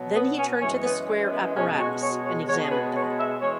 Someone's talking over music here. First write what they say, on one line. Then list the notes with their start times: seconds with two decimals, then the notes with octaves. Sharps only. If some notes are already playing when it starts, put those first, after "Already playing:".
Then he turned to the square apparatus and examined that.
Already playing: B2 F#3
0.14 B3
0.38 C#4
0.61 F#2 E3 G#3 C#5
0.85 B3
1.31 B3
1.55 B2 G#3 C#4
1.78 F#4
2.02 C#5
2.24 C#5
2.48 B2 G#3 C#5
2.64 G#4
2.71 B4
2.95 C#5
3.18 E5
3.41 E3 G#3 C#5